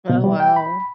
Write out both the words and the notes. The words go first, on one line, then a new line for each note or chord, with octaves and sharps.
Oh, wow.
B2
G3
G5
B5